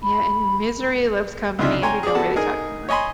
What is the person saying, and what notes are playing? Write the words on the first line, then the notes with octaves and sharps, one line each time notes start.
yeah, and misery loves company and we don't really talk anymore.
B5
C#2 C3 D4 D#4 F4 E5
C#5 G5 G#5 A#5 C6
G#4 D5
B3 F#4 A4 A5
D#4 G#4 A#4 G#5
C#5 D#5 G#5 B5 C6